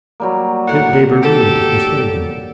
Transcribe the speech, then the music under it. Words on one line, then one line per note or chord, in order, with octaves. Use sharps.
Get de Berulle to persuade him.
F#3 G3 A#3
A2 F#5
G4 A4